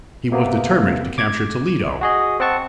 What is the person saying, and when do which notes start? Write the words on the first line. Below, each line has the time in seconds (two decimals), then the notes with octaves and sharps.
He was determined to capture Toledo.
0.32 C3 A#3 B3
1.18 D6 G#6
2.01 F#4 G#4 D#5
2.40 C4 F#5 A5 C#6